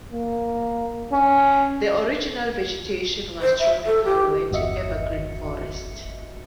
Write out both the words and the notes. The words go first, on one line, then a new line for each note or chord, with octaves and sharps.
The original vegetation was tropical wet evergreen forest.
A#3
C#4
C5
E5
A4
G4
G1 E2 F#4 D#5 E5 C#7